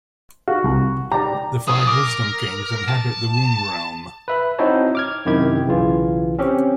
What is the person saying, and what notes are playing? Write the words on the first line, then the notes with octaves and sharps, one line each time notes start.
The Five Wisdom Kings inhabit the Womb Realm.
F#4 F5
C2
G4 D5 A#5
F3 G#4 D#6
A#4 D6
A5
B4 E5 B5
C4 D#4 E4 F#4 C#5 A5
D6 F6 G#6
F#2 C3 D#3 E4 G4 G#6
B1 C#3 E3 F4
C4 C#4 G4